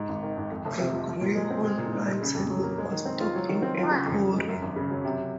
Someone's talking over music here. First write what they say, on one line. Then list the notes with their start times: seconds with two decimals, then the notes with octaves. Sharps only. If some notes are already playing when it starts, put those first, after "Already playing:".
The Greyhound Lines has a bus stop in Emporia.
Already playing: G#2
0.09 G#1
0.23 D#3
0.37 G#1
0.51 F2
0.65 F1
0.79 C3
0.93 F3
1.08 F3
1.21 A#2
1.35 G#3
1.50 C4
1.65 G#3
1.78 A#2
1.92 D#4
2.07 A#2
2.21 C#3
2.34 F2
2.50 F#3
2.63 A#3
2.78 G#3
2.91 D#3
3.05 C4
3.20 F4
3.35 F#3
3.49 D#3
3.62 C4
3.78 F4
3.91 C#3
4.05 F2
4.19 F3
4.33 G#3
4.48 F#2
4.62 G#1
4.76 C#3
4.90 F#3
5.04 C3